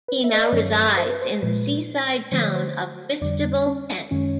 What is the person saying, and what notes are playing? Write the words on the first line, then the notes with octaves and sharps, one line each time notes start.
He now resides in the seaside town of Whitstable, Kent.
B4
E5
D#5
D5
G2 D#3 F#3 C#4 C#5
C5
B4
C5
A#2 F3 G#3 B4
D3 F3 A3 C5
C#5
C5
F2 D3 G3 D4 D5
C#4 C#5
F#2 D#3 G#3 C#4 C#5